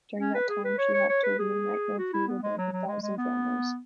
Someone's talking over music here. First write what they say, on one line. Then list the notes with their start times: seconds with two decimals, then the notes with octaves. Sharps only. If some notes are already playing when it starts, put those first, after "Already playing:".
During that time she helped to reunite no fewer than a thousand families.
0.19 C#4
0.35 B4
0.49 G#4
0.64 B4
0.78 C#5
0.94 C#5
1.09 C#5
1.23 B4
1.39 G#4
1.98 F#4
2.13 E4
2.28 B3
2.43 G#3
2.58 F#3
2.72 F#3
2.88 G#3
3.02 G#3
3.17 B3